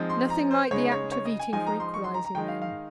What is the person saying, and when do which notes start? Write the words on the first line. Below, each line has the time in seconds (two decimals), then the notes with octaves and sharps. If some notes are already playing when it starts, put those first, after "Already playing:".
'Nothing like the act of eating for equalising men.
Already playing: F3 G#3 C4 D#4
0.10 C6
0.30 A#5
0.51 C5
0.71 C#3 G#3 D#4 C#5
0.92 C#5
1.12 C#5
1.26 D#5
1.39 G#5
1.52 F3 G#3 D#4 G#5
1.67 A#5
1.80 C6
1.94 C#6
2.04 C6
2.14 A#5
2.25 A#5
2.35 D#3 G#3 D#4 G5
2.48 F5
2.62 F5